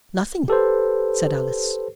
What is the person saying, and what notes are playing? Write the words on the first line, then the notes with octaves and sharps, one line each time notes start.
'Nothing,' said Alice.
G4 A4 B4 C5